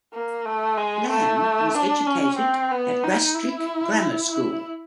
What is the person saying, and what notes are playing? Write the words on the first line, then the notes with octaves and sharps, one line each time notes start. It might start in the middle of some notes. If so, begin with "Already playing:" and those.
Lamb was educated at Rastrick Grammar School.
A#3
A3
G#3
A3
D4
C#4
C4
B3
D#4
E4
E4